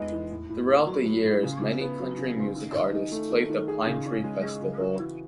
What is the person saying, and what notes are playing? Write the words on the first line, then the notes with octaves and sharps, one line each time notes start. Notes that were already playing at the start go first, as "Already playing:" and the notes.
Throughout the years many country music artists played the Pine Tree Festival.
Already playing: G#3 B3 D#4
E3
A2
A2
B3
F#3
A2
A2
C#3
C#3
B3
F#3
C#3
C#3
D#3
D#3
D#4
A3
D#3
D#3
G#4
C#3
C#4
G#3
G#4
C#3
F#4
E3